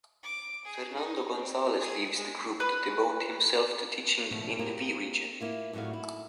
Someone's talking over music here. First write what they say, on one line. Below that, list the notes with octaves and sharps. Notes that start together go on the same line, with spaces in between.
Fernando González leaves the group to devote himself to teaching in the V Region.
D6
G#4
D#4
C4
G#4
G#3
B4
B2 D3 F3 G3 A3
A#3 G4 G#4 A#4 C5
A#3 E4 F4
A2 F#3 G3 F#4 F5
E4